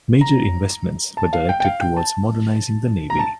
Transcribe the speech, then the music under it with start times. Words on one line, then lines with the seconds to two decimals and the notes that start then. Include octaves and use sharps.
Major investments were directed towards modernizing the navy.
0.21 A#5
1.17 A5
1.33 F5
1.49 G5
1.60 G5
1.65 F5
1.81 G5
1.97 A5
3.10 A#5
3.19 A5